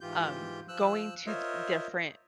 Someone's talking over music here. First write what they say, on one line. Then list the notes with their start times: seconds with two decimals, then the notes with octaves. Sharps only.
um, going to th different
0.01 G#2 E3 F4 G4 G6
0.68 F3 E6 F#6
1.26 F4 A#4 C5 C#5 D#5 E5